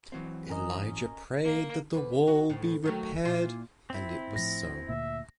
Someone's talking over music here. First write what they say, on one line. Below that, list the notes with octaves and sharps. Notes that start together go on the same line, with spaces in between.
Elijah prayed that the wall be repaired and it was so.
E3 F#3 C4
C#4 A#4 D#5
A#3
E2 B4
F#4
D2 A2
D#3 F#3 A3
A#2 E4 F4
C4 E4
A2 F3 A#6
D2 A#2 E5